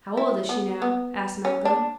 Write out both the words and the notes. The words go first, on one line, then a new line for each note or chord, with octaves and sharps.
"How old is she now?" asked Malcolm.
E4
B3
B3
C#4
D4